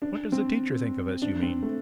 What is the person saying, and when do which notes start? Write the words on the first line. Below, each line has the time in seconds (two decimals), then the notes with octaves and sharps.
"What does the teacher think of us, you mean?"
0.02 D4
0.32 C4
1.22 D4
1.42 C4
1.63 A3